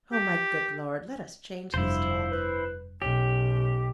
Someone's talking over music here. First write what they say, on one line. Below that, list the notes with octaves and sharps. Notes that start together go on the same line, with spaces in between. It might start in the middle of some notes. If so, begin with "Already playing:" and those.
Oh, my good Lord! let us change this talk....'
G4
F1 G2 F3 E4 C5
B4
B1 C#4 G4